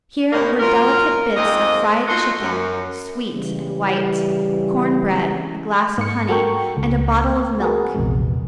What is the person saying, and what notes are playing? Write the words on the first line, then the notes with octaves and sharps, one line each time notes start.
Here were delicate bits of fried chicken, sweet and white, corn-bread, a glass of honey, and a bottle of milk.
A2 C3 A#3
F#2 F4 A#4
F2 G#2 A#3 C4 D#5
D#4 F4 F#4 A4 C5
F#2
C#3 E3 G3
G#2 C#7
F#4 A4 A#4 G5 C#6
C#2
F#4 G#4 A#4 B4
A#1 E2 C3 G#3